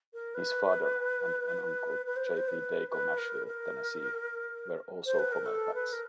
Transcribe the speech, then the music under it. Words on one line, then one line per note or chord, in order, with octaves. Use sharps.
His father and an uncle, J. P. Dake of Nashville, Tennessee, were also homeopaths.
A#4
B4
B4
C5
B4
C5
B4
B4
A#4
A#4
C5
B4
A#4
A4
B4
A#4